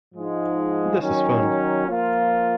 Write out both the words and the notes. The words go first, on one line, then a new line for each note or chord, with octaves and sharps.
This is fun!
G#2 F3 G#3 D#4
D#3 F#3 C#4
F3 A#3 F4